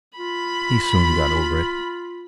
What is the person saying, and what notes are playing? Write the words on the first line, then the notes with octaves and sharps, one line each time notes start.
He soon got over it.
F4 B5